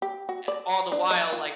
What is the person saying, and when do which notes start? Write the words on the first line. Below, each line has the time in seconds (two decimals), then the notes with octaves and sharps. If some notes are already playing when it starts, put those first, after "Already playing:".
eh, all the while, like
0.02 G4
0.29 F#4
0.48 D5
0.92 D4
1.11 D#5
1.32 F4